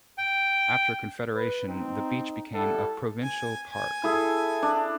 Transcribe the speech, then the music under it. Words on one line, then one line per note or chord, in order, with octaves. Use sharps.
After Confederation, the beach became a provincial park.
G5
B4
C4 D#4
G3 E4 A4 F#5
G#5
G#5
E4 G#4 A4
D4